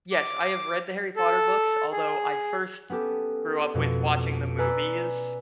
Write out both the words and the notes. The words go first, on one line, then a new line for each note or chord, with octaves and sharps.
Yes, I have read the Harry Potter books, although I first grew up with watching the movies.
D6
A4
G#4
B3 C#4 G4 A4
F2 B2
B4 D5 G#5 A#5 E6